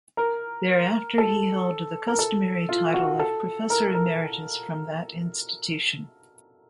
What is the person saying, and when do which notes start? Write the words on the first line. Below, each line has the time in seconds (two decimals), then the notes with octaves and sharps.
Thereafter he held the customary title of Professor Emeritus from that institution.
0.17 A#4
1.18 A4
2.07 A#4
2.19 A4
2.69 F4
2.94 F#4
3.19 A4
3.70 A#4
3.94 A#4